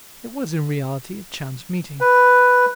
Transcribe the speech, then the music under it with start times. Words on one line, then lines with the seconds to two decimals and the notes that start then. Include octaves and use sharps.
It was in reality a chance meeting.
2.01 B4